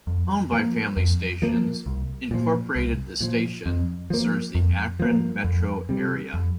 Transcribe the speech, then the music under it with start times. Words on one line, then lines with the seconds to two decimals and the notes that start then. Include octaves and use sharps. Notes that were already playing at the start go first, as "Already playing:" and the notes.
Owned by Family Stations, Incorporated the station serves the Akron metro area.
0.07 F2
0.52 F3 A#3
0.97 F2
1.42 F3 A#3
1.86 C2
2.31 A#2 F3
2.76 C2
3.21 A#2 F3
3.66 F2
4.10 F3 A#3
4.55 F2
5.00 F3 A#3
5.44 F2
5.89 C3 G3
6.34 F2